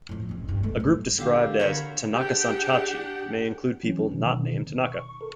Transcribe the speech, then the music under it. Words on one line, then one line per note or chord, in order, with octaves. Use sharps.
A group described as "Tanaka-san-tachi" may include people not named Tanaka.
A2 F3
E1 C#4
G2
G#3 A3
A1 G3
D3 G4 F5
A#4 C5 C#5 B5
D4 G4 G#4 F#5 G5
E3 F#3 C#4
B2 D#3
C#6
A4 A#4